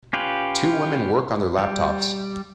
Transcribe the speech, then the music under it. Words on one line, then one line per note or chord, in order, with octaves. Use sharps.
Two women work on their laptops.
C#4 F4 G4 B4
G3